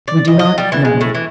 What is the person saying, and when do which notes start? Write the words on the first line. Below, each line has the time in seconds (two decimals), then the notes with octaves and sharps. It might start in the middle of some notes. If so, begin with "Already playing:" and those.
We do not know.
0.08 D5
0.28 D#5
0.39 D#5
0.58 G3
0.72 E3
0.85 G#3
1.01 A2
1.15 E3